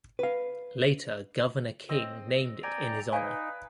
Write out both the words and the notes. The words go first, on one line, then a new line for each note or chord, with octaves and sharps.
Later Governor King named it in his honour.
B4 F5
C4 D#5
D5 G5 G#5 A#5
D#4 B4 D5 F5 G#5